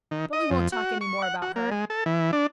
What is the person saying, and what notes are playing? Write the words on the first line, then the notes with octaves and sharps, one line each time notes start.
But we won't talk any more about her.
D#3
D#5
F2
F#4
C#6
F#5
F#4
A#3
G#3
A4
E3
D4